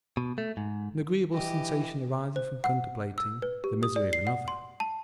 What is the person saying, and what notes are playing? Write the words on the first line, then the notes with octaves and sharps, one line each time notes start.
An agreeable sensation arising from contemplating the misery of another.
B2
A3
G#2
E3 G4 D#5
C5
F#5
E6
B4
G4
D#6
D5
C7
F#5
C6
A5